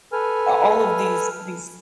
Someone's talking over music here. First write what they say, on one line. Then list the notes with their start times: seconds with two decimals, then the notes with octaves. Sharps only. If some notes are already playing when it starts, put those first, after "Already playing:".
a all of these these
0.13 A4 B4 G#5 F6